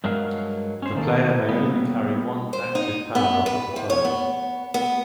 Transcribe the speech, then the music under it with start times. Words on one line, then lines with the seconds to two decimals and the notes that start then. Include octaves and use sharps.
The player may only carry one active power-up at a time.
0.04 G2 F#3 G#3 A#4 F5
0.82 C#4 C5
0.95 D#3 A#3 A4
1.49 F#3 G3 A#3 B3
2.53 C5
2.75 D#4
3.15 B3
3.46 B4
3.76 C3
3.90 C#5
4.05 B3
4.74 B3